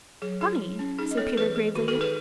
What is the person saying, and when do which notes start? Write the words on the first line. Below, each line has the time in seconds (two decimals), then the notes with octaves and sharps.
"Funny!" said Peter gravely.
0.22 F#3 G#4
0.41 E4 G#4
0.60 F#3
0.79 C#4
0.99 D#4 G#4
1.11 D#5
1.17 B3 A4 C#5
1.37 E3 G#4 B4
1.56 G#3 G#4
1.75 D#3 F#4
1.88 F#4 A4
1.94 D#4
2.01 G#4 B4